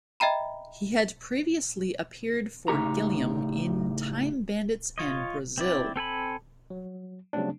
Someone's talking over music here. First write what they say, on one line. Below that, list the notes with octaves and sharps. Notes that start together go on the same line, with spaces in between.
He had previously appeared for Gilliam in "Time Bandits" and "Brazil".
D#5 E5 G5 A#5 B5
A2 C#3 D#4 G4 A#5
F4 C#5 D#5
C4 E4 D5
C4 A4 G#5 B5
F#3
C#3 F#3 G3 A3 C4 D4